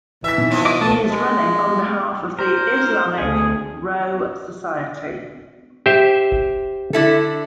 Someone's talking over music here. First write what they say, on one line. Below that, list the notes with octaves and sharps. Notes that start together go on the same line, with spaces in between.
He is running on behalf of the "Islamic Row" Society.
E3 E5 E6 B6
B2 D#3
F3 F#3
D#5 D6
A3 A5
G#3
A#4 C5
D2 G#4
G4 C5 E5
D3 E4 A4